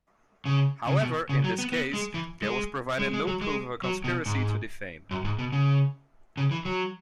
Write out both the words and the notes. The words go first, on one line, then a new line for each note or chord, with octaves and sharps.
However, in this case, there was provided no proof of a conspiracy to defame.
C#3
C#3
B2
C#3
F#3
B3
B3
G#3
E3
G#3
G#3
G#3
F#3
G#3
F#3
B2
G#2
F#2
G#2
B2
C#3
C#3
E3
F#3